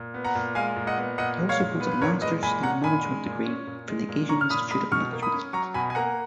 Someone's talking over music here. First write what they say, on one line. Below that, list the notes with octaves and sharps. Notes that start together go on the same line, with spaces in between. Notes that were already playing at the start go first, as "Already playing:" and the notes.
He also holds a Masters in Management degree from the Asian Institute of Management.
Already playing: A#2
B3
F#5 A#5
A#2
G#3 F5 G#5
A#2
D#5 F#5
B3
A#2 D#5 F#5
G#3
C#5 F5
A#2
B3 B4
B4
A#2 A#4 C#5
G#3 B4 D#5
A#2 G#5 B5
C#4 F#5 A#5
A#2 G#5 B5
G#3
A#2
C#4
A#2
G#3
A#2
C#4 A#5 C#6
F6
A#2 B5 D#6
G#3 B5 D#6
B2 C#6 F6
A#3
B5 D#6
C#4
F#3 A#5 C#6
B2 G#5 B5
G#5
A#3 F#5 A#5